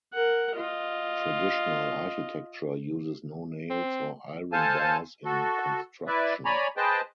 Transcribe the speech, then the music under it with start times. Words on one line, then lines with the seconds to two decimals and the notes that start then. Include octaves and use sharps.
Traditional architecture uses no nails or iron bars in construction.
0.13 A#4 F#5
0.55 F4 D#5
3.70 C4
4.52 A4 C5 F5 G#5 A5
5.25 F#4 A4
6.07 E4 B4 D5 E5
6.45 C#5 D5 G#5 A#5 B5
6.77 G#4 B4 C5 D#5 G5 A5